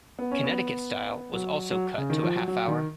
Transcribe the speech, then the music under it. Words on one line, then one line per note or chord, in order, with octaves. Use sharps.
"Connecticut Style" was also cut to a half hour.
B3
C#4
B3
F#3
F#3
C#3
D#3
F3
F#3
F#3
D#3